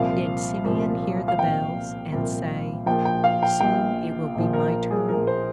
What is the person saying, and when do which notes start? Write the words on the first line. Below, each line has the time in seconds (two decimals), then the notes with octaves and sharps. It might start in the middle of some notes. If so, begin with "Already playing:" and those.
Did Simeon hear the bells and say, "Soon it will be my turn"?
Already playing: C2 A#2 F3 F5
0.64 C2 A#2 F3
1.28 F5
1.38 C2 A#2 F3 G5
2.12 C2 A#2 F3
2.86 A#1 A#2 F3 G5
3.05 G5
3.24 F5
3.43 G5
3.60 A#1 A#2 F3 G5
4.35 A#1 A#2 F3
4.53 A#4
4.72 A#4
4.91 G#4
5.09 A#1 A#2 F3 A#4
5.27 C5